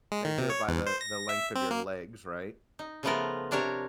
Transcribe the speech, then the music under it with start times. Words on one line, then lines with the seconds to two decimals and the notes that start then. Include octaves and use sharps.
they do it by the the length of your legs, right?
0.12 G#3
0.25 D#3
0.38 C3
0.50 C#5
0.69 E2
0.87 C5
1.01 A#6
1.29 E5
1.55 C4
1.71 A#3
2.79 D#4
3.03 C#3 F3 A3 B3 F4 A#4
3.51 C3 D4 A#4 C#5 A#5